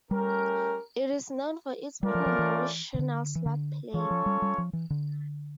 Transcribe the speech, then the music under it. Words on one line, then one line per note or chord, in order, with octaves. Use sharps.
It is known for its promotional slot play.
G3 A3 C#4 G4 A#4
G3 A3 C#4 F4 A#4 D5
F3
F3
E3
C#3
D3
E3
D3
E3 C#4 F4 A4 C#5
F3
G3
G3
F3
E3
D3